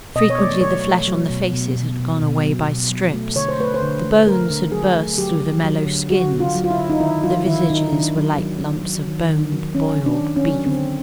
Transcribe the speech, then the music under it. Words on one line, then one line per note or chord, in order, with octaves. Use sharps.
Frequently, the flesh on the faces had gone away by strips, the bones had burst through the mellow skins, the visages were like lumps of boned, boiled beef.
B2 D#5
C#5
A3 D5
F#3 C#5
A3
F#3
B2
B2
B2
B2
B2
F#3
B2
F#3
A3
D3 C#5
C5
A3 B4
C5
D3
A3
A3 A#4
D3
F#3 G#4
A3
F#3 G4
F#3
F#3
D3
F#3 F#4
D3
F4
F#3
F4
E4
D3
D#4
D#3 E4
F#3 F4
D#3 E4
D#3 D#4
D#3 D4
F#3
F#3
D#3
F#3
D#3
D#3
F#3
D#3 C#4
D#3
D4
D#3
C#4
F#3
D3 C4